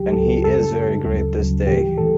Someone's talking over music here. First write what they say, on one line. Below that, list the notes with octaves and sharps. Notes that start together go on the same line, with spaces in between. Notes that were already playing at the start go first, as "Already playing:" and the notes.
And he is very great this day.
Already playing: C#2 C#3 F#3 G4
C#2 C#3 F#3 A4
F#2 C#3 G3 A4
F#2 C#3 G3
D2 C#3 F#3
D2 C#3 F#3
A2 E3 G3 G4
A2 E3 G3 A4